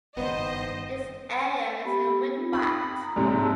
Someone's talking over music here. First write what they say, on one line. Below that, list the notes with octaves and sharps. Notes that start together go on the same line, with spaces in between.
This area is a windwatt.
F#1 G2 D#3 B3 C5 D#5
B3 G4 B5
C4 D#4 F4
G5 B5 D#6
A#5
A#1 G#2 C3 C#5 A#5
A5 E6